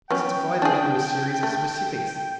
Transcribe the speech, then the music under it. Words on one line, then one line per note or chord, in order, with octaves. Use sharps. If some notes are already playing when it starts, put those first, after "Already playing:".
It is divided into a series of specifics.
B3 C#4 G5
D4 G#4
A3